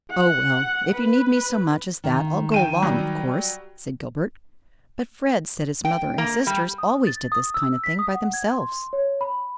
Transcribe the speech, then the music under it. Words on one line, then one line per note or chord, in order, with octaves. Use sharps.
"Oh, well, if you need me so much as that I'll go along, of course," said Gilbert, "but Fred said his mother and sisters always did this kind of thing by themselves."
F#5
B4
D#3
G5 D#7 E7
F#3 G3
G5
A#3
G3
D#6
A6
D#6
E6
B6
D#6
F#5
G#6
C6
C#5
B5